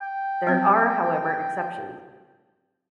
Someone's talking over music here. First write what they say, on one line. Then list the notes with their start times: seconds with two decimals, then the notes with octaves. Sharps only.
There are however exceptions.
0.01 G5
0.47 F#3 C4